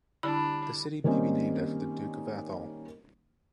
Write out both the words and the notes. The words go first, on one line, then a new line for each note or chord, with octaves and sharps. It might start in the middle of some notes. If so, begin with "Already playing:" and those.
The city may be named after the Duke of Atholl.
D3 G3 D4 E4 B5
D#3 G3 A#3 C4 C#4 D#4